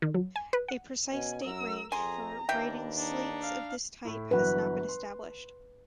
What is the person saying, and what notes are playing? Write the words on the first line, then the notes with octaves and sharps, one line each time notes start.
A precise date range for writing slates of this type has not been established.
D#3
F#3
G#5
B4
F#5
B2 C#4 G#5
F#2 A#4 E6
F2 G#4 G#5 A#5 C6
D#2 E3 D4 E5 G5
D4 D#4
F5
A2 E4
G1 E3 F#3 B4
C6